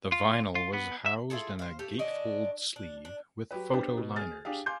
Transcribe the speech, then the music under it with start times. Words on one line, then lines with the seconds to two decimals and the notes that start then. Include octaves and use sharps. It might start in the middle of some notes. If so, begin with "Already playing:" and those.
The vinyl was housed in a gatefold-sleeve with photo-liners.
0.12 F4
0.55 F4
0.73 B3
1.06 E5
1.30 E4 F4 G#4 A4
1.59 C5 F5
1.79 A3 G4
1.99 D3 C#4 D4 D#5
2.76 D4
3.05 D4
3.51 F#3 G4 B4
3.73 B3 D4 G4 C5
3.97 B2
4.16 G#4 F6 A6
4.45 D4 G4 G#4 F5
4.66 F5 G#5 C6 D6 G6